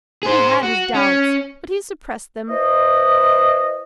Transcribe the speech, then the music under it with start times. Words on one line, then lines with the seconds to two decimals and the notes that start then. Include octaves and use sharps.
He had his doubts, but he suppressed them.
0.23 G#4 C5
0.63 F#4
0.95 C#4
2.49 E4 B4 C5 D#5